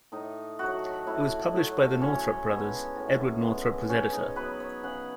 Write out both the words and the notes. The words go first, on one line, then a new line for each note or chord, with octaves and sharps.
It was published by the Northrup brothers - Edward Northrup was editor.
A2 D#4
F#3 A3 F#4
A2 E4
F#3 A3
A2 C#4
G#3 B3
A2
G#3 B3
C#3 C#4
D#4
F#3 B3 B4
C#5
C#3 F#5